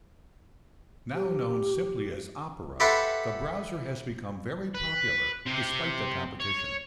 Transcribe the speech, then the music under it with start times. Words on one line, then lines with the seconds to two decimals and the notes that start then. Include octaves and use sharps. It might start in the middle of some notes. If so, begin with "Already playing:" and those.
Now known simply as Opera, the browser has become very popular despite the competition.
1.15 G4
2.80 G4 A4 B4 E5 F#5 C6
4.74 B4
5.46 C3 G4
6.40 C#5